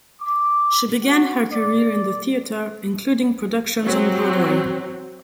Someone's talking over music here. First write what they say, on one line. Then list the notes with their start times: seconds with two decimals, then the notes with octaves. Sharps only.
She began her career in the theater, including productions on Broadway.
0.21 D6
1.04 F#4
1.52 D5
3.83 F#3 C4